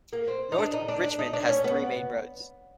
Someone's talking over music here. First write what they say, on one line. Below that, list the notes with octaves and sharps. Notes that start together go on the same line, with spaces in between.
North Richmond has three main roads.
A#3
C4
D#4
D4
D#4
D4
D4
D#4
D4
C#4
B3